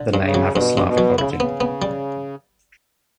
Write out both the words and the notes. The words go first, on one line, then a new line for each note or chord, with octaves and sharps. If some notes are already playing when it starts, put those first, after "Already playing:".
The name have a Slavic origin.
Already playing: D3
G2
C#3
F#3
G2 B2
G2
B2
F#3
C#3 E4
D3
C#3 B3
B3
G3